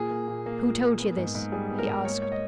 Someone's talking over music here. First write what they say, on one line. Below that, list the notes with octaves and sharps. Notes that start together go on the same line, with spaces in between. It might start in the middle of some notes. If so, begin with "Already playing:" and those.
"Who told you this?" he asked.
Already playing: A#2 A#3 G#4
A#3
A#2
A#3
A#2
A#3
B3
G#2
G#2
G3 G#4
B3
A#4
G#2
A#3 C#5
C#5
D#5